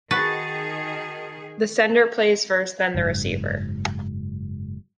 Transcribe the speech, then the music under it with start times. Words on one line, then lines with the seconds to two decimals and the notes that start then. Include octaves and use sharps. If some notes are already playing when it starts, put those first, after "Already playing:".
The sender plays first, then the receiver.
0.11 D#3 F#4 G#4 B4 A5 A6
2.95 F#1 G#2 F#3